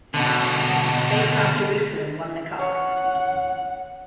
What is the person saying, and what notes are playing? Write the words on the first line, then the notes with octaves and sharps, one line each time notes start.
Beitar Jerusalem won the cup.
B2 D3
C#4 C#5 F#5